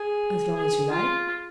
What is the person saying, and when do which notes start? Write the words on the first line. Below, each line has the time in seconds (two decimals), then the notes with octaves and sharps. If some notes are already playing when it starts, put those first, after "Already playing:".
"As long as you like."
Already playing: G#4
0.55 G#4
0.91 F4